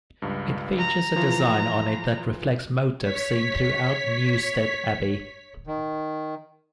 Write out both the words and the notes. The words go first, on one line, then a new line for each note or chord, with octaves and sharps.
It features a design on it that reflects motifs seen throughout Newstead Abbey.
C#2 G2
A#5
E3 F3 F4
C#5 B6
D#3